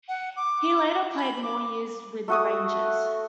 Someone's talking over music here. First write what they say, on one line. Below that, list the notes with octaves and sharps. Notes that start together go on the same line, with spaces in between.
He later played more years with the Rangers.
F#5
D6
B5
D6
A3 F#4 D#6